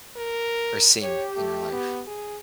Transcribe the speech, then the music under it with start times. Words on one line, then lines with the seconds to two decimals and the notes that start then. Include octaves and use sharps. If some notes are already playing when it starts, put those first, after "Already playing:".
or sing in your life
0.17 A#4
1.02 G4 C#5
1.37 A3
1.72 B3
2.07 G#4